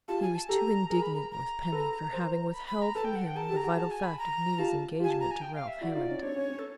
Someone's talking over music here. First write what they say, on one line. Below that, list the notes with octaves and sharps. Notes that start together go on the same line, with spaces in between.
He was too indignant with Penny for having withheld from him the vital fact of Nita's engagement to Ralph Hammond....
F4 G4 A5
G#5
A5
G4 A4 A#5
G#4 A#4 A#5
B5
A#5
A#5
A4 B4
A#4 C5
B5
B5
A#5
A4 B4 A5
G5
F#5
G5
G#4 A#4 A5
G4 A4
A#5
F#4 G#4
A5
G#5
B5
A#5
F4 G4 A5
F4 G4 G#5
A5
A#5
G#5
G5
F5
E5
E4 F#4 D5
D#4 F4
C#4 D#4
C4 D4 C#5
C#4
C#4
A4